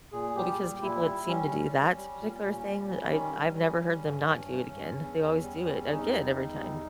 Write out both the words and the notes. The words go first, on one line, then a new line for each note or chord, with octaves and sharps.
Well, because people that seem to do that particular thing, I I've never heard them not do it again. They always do it again every time.
A#2 G#4
G3 G4
A#2
A#2 E4
G3
G3 C#4
G3
G3
G3
A#2
A#2
G3
G3
D#3 C#4
D#3
G3
G3
G2
G2
G2
G2
E2
E2
G3
E2
E2 D#4
G3
E2
G3